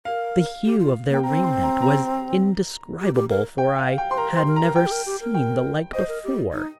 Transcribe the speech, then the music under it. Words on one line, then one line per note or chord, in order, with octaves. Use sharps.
The hue of their raiment was indescribable for I had never seen the like before.
A#4 F5
G4
F4
A#3 G5
C4 A#5
C6
A#5
A#5
G4
G4
A#4
G5
F5
G5
C5 C6
A#4 A#5
C5
C6
A#4
A#5
A#4
C5 G5
G4
A#4
G4
A#4
G5
C5 D#5
A#4
G4
D#4